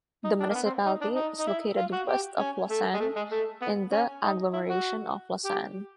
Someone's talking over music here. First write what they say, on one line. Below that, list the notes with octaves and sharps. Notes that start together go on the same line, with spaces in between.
The municipality is located west of Lausanne in the agglomeration of Lausanne.
D#4
D4
A#3
B3
C4
D#4
D4
D#4
D#4
E4
F4
F#4
G4
C#4
A3
G#3
A3
G#3
A3
B3
C#4
D#4
E4
F#4
G4